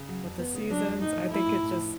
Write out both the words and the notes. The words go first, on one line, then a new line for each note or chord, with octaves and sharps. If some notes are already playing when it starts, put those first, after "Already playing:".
with the seasons. I think it just
Already playing: C#3
F#3
F2
B3
C#3
F#3 D4
F2
A2 D#4
F3
A3 E4
A2
A2
F3